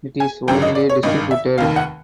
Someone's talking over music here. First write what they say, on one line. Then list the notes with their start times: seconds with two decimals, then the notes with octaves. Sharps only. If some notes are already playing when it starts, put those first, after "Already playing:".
It is widely distributed.
0.20 G#5
0.48 G#1 F#2 D3 G5
0.62 D#5
0.75 D5
0.89 C#5
1.03 G#1 G2 D#3 D#5
1.31 E5
1.58 F1 D#2 D#3 F5
1.76 F#5